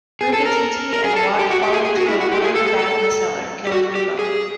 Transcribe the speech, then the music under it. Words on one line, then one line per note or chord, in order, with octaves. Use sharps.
Rubbatiti and Watt fall into a boiling vat in the cellar, killing them both.
G#4
A4
A#4
A#4
G#4
A4
G4
F#4
G4
G#4
G#4
F#4
E4
F#4
G4
G#4
A4
A4
A4
G4
F#4
G4
G#4